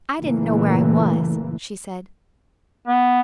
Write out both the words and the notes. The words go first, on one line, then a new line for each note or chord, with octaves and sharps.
"I didn't know where I was," she said.
F#1 A#2 E3 A3 A#3
B3